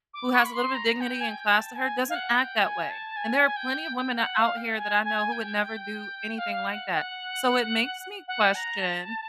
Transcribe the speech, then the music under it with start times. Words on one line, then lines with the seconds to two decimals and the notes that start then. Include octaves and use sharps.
who has a little bit of dignity and class to her doesn't act that way, and there are plenty of women o out here that I know who would never do anything like that. So it makes me question,
0.13 D6
0.33 C#6
0.45 B5
0.53 C6
0.74 A#5
1.00 G5
1.20 G#5
1.28 G5
1.55 A5
1.75 G#5
2.09 F5
2.15 F#5
2.34 G5
2.62 G#5
2.89 A5
3.16 G#5
3.56 G5
3.96 G5
4.16 F#5
4.36 F5
4.56 G5
4.77 G#5
5.04 G#5
5.31 G5
6.38 F5
6.66 F#5
6.93 F#5
8.27 F#5
8.54 A#5
8.80 A5